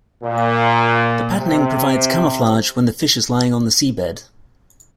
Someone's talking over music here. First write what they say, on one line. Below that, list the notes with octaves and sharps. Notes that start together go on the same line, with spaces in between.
The patterning provides camouflage when the fish is lying on the seabed.
A#2
C3